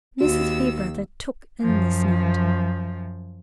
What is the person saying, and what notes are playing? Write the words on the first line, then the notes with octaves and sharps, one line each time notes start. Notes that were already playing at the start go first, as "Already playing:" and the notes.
Mrs. Fairbrother took in this note.
D#2 F#4 E6
F#2 F3